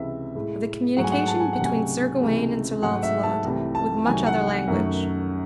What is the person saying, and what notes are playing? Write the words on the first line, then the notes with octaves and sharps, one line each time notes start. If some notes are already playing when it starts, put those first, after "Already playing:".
Of the communication between Sir Gawaine and Sir Launcelot, with much other language.
Already playing: C#2 C3 E3 E5
A2 G#3
G#2 F#3 A3 F#5
G#5
F#5
A5
G#5
F#5
C#2 C3 F#3 A3
G#5
C#2 C3 E3 A3
G#2 F#3 A3 F#5
E5
A5
C2 C3 E3 A3
A5
C2 C3 D#3 F#3 A3 G#5
F#5
F#5
F#2 D#3 F#3 A3